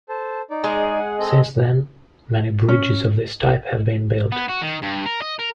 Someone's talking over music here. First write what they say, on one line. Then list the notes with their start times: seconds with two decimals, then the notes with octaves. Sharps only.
Since then, many bridges of this type have been built.
0.09 A4 C5 A5
0.50 D#4 D5
0.64 G#3 G#4
0.99 F#5
1.19 C4 A4 D#5
2.69 C#4
4.32 B3
4.49 F#4
4.62 D#3
4.83 G2
5.06 A#4
5.22 D#5
5.39 A#4